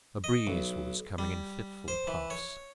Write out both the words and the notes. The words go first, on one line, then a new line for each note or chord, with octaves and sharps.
A breeze was coming in fitful puffs.
D#5
B1
G3
C5
E3
C#5